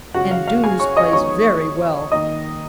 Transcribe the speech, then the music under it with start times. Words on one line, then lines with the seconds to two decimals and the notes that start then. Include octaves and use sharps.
And Doos plays very well.
0.14 C#3 F3 G#3 C#4 F#4 F#5
0.31 F5
0.48 F5
0.64 G#4 G#5
0.80 C#5 C#6
0.96 D#5 D#6
1.13 F3 G#3 B3 D#4 C#5 C#6
2.11 D#3 A#3 D#4 D#5 D#6